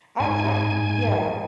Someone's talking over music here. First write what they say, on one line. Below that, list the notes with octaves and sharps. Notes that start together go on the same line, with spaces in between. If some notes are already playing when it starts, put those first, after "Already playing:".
I mean, I yeah.
G#2 G#5